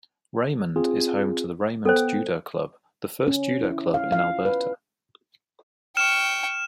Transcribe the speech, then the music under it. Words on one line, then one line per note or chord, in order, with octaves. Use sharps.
Raymond is home to the Raymond Judo Club, the first Judo club in Alberta.
C4 F4 G#4
B3 A4 C5 G5
C#4
E4
F5
F5
B4
G5 C#6 F6 E7